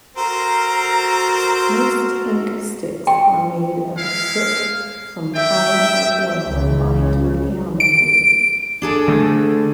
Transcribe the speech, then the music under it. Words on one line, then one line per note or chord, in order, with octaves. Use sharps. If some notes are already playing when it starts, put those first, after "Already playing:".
Most inksticks are made of soot from pine or oil combined with animal glue.
C4 F#4 A4 A#4 C5 A#5
G5
G#3 E4 F5
E5 G5
C#2 C#3
D7
D4 G#4 A4
D3 A3